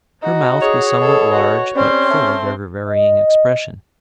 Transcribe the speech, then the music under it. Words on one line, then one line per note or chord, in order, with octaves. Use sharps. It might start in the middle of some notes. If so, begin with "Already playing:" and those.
Her mouth was somewhat large, but full of ever-varying expression.
D#4 F#4
G#4 C#5
B2 A4
F#4
G3 C4 C#4 C6
A3
D#5